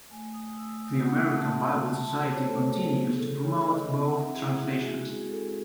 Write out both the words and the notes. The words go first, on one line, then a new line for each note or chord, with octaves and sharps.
The American Bible Society continues to promote both translations.
A3 G#5
D#6
A3 E6
E6
D#6
G#3 F#5
E5
F#5
A5
C#4
C6
F#4 A5
C5
C#5
C5
A3 A4
G#4
D#4 G#4
A4
D#4 C#5
D#5
C4 E5
F#5
E4 G#4
G#4
G#4
G#3 F#4
F#4
G#4
G#3 A4
G#4